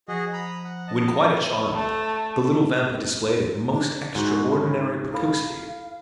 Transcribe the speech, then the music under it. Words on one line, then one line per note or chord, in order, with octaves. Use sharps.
When quite a child, the little Vampa displayed a most extraordinary precocity.
F3 F#4 G#4 D#5
A#5 B5 D#6
F#5
D#5 A5
A3 A5
D4
G#2 F#4
C#4 B5
E4 A4 F5 B5